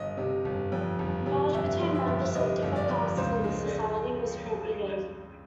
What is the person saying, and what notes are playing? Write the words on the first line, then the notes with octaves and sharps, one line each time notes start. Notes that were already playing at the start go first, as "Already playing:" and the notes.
Marriage between members of different classes of the society was forbidden.
Already playing: G1 D#5
C3
G1
F2
G1
C3
G1 E5
F2
E5
G1
E5
C3 D#5
G1
D5
F2
C#2 C5
G#3